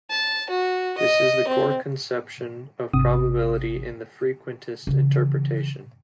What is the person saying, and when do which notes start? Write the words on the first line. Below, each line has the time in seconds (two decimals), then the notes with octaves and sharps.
This is the core conception of probability in the frequentist interpretation.
0.10 A5
0.50 F#4
0.98 D#5
1.48 C4
2.93 G#1 C3 D#6
4.87 C#3 E3